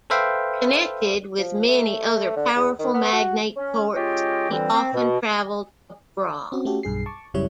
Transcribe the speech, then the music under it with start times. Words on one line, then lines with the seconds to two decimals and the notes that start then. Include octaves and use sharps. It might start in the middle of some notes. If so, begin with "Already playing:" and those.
Connected with many other powerful magnate courts, he often traveled abroad.
0.10 A4 B4 C5 E5 F5 G5
1.38 F3
1.68 A3
2.36 D3
2.56 E2
2.79 D#3
2.94 B3
3.13 F#4
3.56 C#4
3.95 G#3 C#4 F4 G4 D#5 G5
4.50 F2 D3 E3 G3 C4
4.72 C4
4.94 B2
6.52 C4 C#4 F#4
6.65 A3 C#4 F#4 G4 A4
6.83 B1 G2 G#4 C7
7.06 A5 C#6 D6
7.34 A1 F#2 C#3 G3 E4 C#5